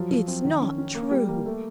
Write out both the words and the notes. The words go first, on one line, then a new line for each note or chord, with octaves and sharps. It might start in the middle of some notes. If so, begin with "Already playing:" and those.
"It's not true!"
Already playing: F3 F#3
F3
C4
D#3
C#4
C#4
A#3
G3
A#3
A3